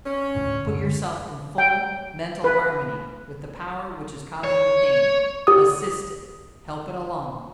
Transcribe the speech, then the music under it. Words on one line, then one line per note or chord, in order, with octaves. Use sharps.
Put yourself in full mental harmony with the power which is causing the pain; assist it; help it along.
C#4
D2 A2
F#2 D3 G#3
G5
B4
C#5
G4 D#6